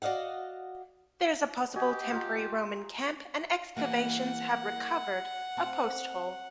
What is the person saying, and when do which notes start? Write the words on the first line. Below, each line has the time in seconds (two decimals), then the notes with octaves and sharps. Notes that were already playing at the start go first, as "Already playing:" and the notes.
There is a possible temporary Roman camp and excavations have recovered a posthole.
0.02 F#4 D5 D#5 F5 F#5
1.76 F#4 G4 D#5 G#5
2.12 F4 A#5
3.77 E3 G3 A#3 F#5
5.57 C4